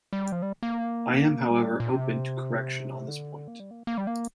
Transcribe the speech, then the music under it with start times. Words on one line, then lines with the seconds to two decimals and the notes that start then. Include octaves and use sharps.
I am however open to correction on this point.
0.13 G3
0.32 F3
0.42 G3
0.63 A#3
1.50 G3
1.80 A#2
1.90 C3
3.08 D3
3.48 A#3
3.60 G3
3.71 A#3
3.87 A#3
3.98 G3
4.07 A#3